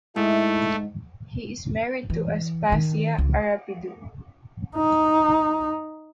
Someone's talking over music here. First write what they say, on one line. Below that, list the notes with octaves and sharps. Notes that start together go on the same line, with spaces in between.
He is married to Aspasia Arapidou.
G#2 A3 E4
E3
D#3
C#2
D#4